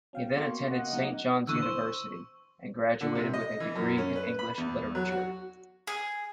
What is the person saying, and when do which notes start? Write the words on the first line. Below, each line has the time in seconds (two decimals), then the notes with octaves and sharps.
He then attended Saint John's University, and graduated with a degree in English literature.
0.13 B2 C#4 F5 G5
0.38 A#3 C6 C#6
0.71 C#3 D#5 F#5
0.93 B1 A3 A#3 C#4 D#4
1.47 E2 D3 E3 C#6 E6
1.63 C5
3.01 D3
3.15 C3
3.34 D#5
3.60 E3
3.76 F#2
3.98 C#4
4.16 B4
4.39 B5
4.58 E2
4.95 F#3
5.12 F#4
5.87 G#4